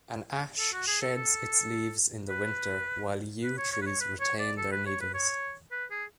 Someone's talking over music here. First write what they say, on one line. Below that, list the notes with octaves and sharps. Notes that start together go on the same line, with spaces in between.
An ash sheds its leaves in the winter, while yew trees retain their needles.
A4
F#4
G#4
A4
A4
B4
B4
C#5
C#5
B4
C#5
B4
C#5
D5
A4
B4
C#5
B4
C#5
B4
G#4